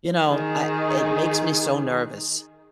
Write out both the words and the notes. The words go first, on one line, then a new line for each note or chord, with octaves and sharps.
you know, I it makes me so nervous.
D#3 G#4